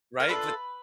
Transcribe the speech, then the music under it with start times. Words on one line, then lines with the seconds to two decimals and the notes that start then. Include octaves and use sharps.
Right, but
0.20 A#4
0.28 D4 F4 A4 B4